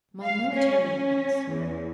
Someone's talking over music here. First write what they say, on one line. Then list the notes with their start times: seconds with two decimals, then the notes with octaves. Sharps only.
"My military weapons."
0.23 F5
0.54 C#4
0.83 C#4
1.49 E2